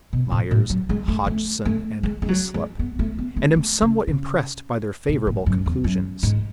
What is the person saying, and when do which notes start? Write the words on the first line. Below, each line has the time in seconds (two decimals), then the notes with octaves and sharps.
Myers, Hodgson, and Hyslop, and am somewhat impressed by their favorable conclusions.
0.13 B2
0.31 A2
0.51 A2
0.70 F#3
0.89 G#3
1.08 A3
1.27 A3
1.65 A3
2.03 G#3
2.22 G#3
2.29 F#3
2.54 G#3
2.79 B3
2.99 A3
3.18 B3
3.36 A3
3.56 A3
3.82 C#3
4.07 C#3
5.09 B2
5.27 A2
5.46 F#2
5.66 E2
5.84 F#2
6.23 G#2